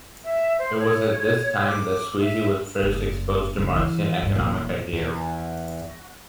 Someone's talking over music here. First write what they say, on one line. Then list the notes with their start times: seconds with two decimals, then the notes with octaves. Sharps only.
It was at this time that Sweezy was first exposed to Marxian economic ideas.
0.25 E5
0.59 C5
0.79 C#5
1.67 D6
2.21 E5
2.82 F#1 F#2
3.58 F#1 D4
3.76 E3
4.23 G2
4.35 D#1 E2
4.93 E2